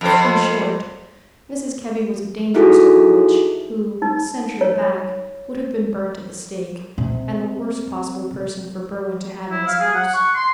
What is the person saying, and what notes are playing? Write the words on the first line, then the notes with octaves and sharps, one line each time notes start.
In short, Mrs. Kebby was a dangerous old witch, who, a century back, would have been burnt at the stake; and the worst possible person for Berwin to have in his house.
F2 C5
D#4 E4 F#4 G#4 A4
D#4
C#5
C3
E4
F5
G#4
F#5
C#6
C6